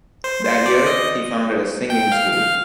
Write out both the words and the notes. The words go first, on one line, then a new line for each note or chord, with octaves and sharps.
That year he founded a singing school.
C5
C5
D5
D#5
G5
F5
F5